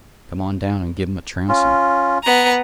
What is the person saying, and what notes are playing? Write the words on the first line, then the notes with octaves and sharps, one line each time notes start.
"Come on down, and give 'em a trouncing."
C#4 F4
B3 A#5